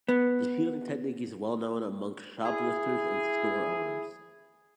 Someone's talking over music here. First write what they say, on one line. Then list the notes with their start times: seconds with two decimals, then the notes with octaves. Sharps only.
The shielding technique is well-known amongst shoplifters and store owners.
0.08 B3
2.46 E4 G#4